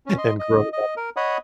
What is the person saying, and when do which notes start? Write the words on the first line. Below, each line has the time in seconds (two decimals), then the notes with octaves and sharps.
in growing up.
0.06 C#4
0.18 D#5 C6
0.39 D#5
0.73 D#5
0.97 A#4
1.17 C#5 D#5 F#5 B5 D#6